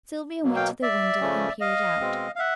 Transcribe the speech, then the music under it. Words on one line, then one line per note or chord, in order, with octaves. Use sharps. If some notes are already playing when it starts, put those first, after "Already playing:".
Sylvia went to the window and peered out.
B2 F#3 A#3
F5 G5
D5 E5
C#3 F3 A3 C#4
D#5 F5
B2 G#3 C4
F5
E5 F#5